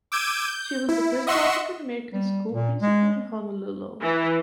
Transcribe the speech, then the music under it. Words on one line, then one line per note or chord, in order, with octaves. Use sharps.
She was the first African American school principal in Honolulu.
D6 E6 G6 G#6 D7 D#7
G6
E4
D#5 E5 F#5 C6 C#6 E6
G3
A#2
G#3
E3